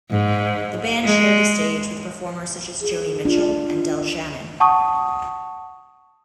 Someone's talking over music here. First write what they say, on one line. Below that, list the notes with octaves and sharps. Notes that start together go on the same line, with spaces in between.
The band shared the stage with performers such as Joni Mitchell and Del Shannon.
G#2
G#3
G#4
D4 F4
F#5 A5 C#6 D#6